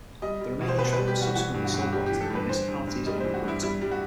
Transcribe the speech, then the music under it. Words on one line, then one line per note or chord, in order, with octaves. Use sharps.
The remaining track was subsequently sold off to the municipalities along the route.
G3 D#5
G3
B2
C5
B2 B4
G3 B4
G4
G3 F#4
E3 F#4
G2
F#4
G2
F#4
G3 G4
G4
E3
A4
G2 B4
E3 C5
G2
G2
G3 D#5
E3 C5
F#4
G2 E4
G3 E4
G3
F#4